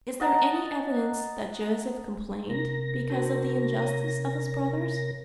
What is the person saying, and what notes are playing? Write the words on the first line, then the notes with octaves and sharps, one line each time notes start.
Is there any evidence that Joseph complained because of the injustice of his brothers?
D#5 F#5 A5 A#5
C3 A#4 A#6
D4 F#4 C5
C#5